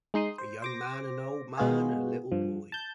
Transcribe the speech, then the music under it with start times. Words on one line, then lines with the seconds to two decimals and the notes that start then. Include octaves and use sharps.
A young man — an old man — and a little boy.
0.14 G#3 D#4 C6 D#6
0.38 C5
0.62 C5 D6 A#6
1.57 B2 G#3 B3 F4 F#4 G#4
2.32 G2 F3
2.72 A5 G6